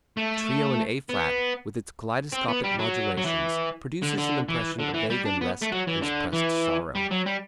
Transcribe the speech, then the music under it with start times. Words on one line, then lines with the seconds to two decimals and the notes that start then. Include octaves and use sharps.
The Trio in A flat, with its kaleidoscopic modulations, produces an impression of vague unrest and suppressed sorrow.
0.17 A3
1.09 B3
2.33 C4
2.48 B3
2.64 G3
2.79 F#3
3.17 F#3
3.25 E3
4.03 D3
4.18 D3
4.49 E3
4.80 D3
4.94 E3
5.10 G3
5.25 D4
5.41 B3
5.62 A3
5.72 F#3
5.87 E3
6.02 D3
6.33 E3
6.95 G3
7.11 F#3
7.26 G3